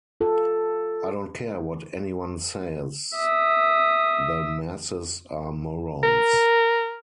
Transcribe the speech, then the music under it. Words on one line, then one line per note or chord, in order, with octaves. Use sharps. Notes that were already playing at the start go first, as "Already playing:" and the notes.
I don't care what anyone says, the masses are morons.
F4 A4
E5 D#6
A#4